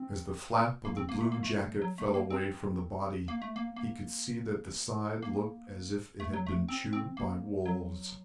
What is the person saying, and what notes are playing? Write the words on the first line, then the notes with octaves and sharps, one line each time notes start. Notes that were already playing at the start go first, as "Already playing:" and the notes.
As the flap of the blue jacket fell away from the body, he could see that the side looked as if it had been chewed by wolves.
Already playing: C4
A#3
C4
A#3
A3
A#3
A3
F#3
A3
A#3
C4
A#3
A3
A#3
A#3
A#3
A3
F#3
A3
C4
C4
A#3
F#3